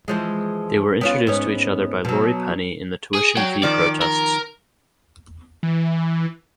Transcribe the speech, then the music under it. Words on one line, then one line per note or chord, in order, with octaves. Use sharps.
They were introduced to each other by Laurie Penny in the tuition fee protests.
E3 F3 G#3
B3 C#4 F4
G#2 B3 C#4
B2 F#3
G#4
F#3 G5
D#3 F3 D5
A#4
E3